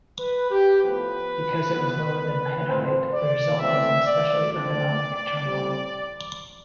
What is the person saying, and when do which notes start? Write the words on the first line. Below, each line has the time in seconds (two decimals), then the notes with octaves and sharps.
Because it was lower than head height, the result was an especially ergonomic terminal.
0.19 B4
0.50 G4
0.81 A2 F3 B3 B4
1.74 E3 B3
2.65 A2 F3 C4 C5
3.12 D5
3.58 E3 A3 C4 E5
4.05 D5
4.50 D3 F3 C4 D5
5.43 A2 G3 C4